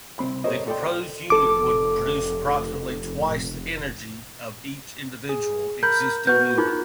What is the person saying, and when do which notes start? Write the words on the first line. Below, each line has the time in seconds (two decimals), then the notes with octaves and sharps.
The proposed unit would produce approximately twice the energy of each individual existing unit.
0.19 C2 G#2 C4 B5
0.44 G4 A4 A#4 C5 C#5 D#5
0.67 F4 A4 D5 F5 G5 C6
1.30 F1 A4 D6
5.29 G#4
5.83 A#4 B5 G6
6.27 B3 F#4 B4 G6
6.58 D#4 F4 G#4 A#4 F#6